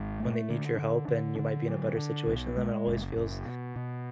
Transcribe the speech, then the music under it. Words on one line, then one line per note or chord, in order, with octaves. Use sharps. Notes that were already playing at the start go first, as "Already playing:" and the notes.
When they need your help and you might be in a better situation than them, it always feels
Already playing: G#1 G#2
A3
D3
D3
D3
D3
F#3
D3
B1
G#3
F#1
F#1
B2
B2